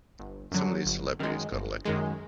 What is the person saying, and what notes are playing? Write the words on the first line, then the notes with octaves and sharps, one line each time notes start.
Some of these celebrities got elected.
G1
F#2 D3 F#3
G1
F#2 D#3 G#3
G1
F#2 D#3 G#3